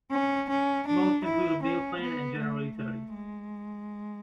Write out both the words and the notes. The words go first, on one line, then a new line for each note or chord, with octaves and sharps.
Most include a meal plan and general utilities.
C#4
C#4
D4
E4
C#4
B3
A3
A3
G#3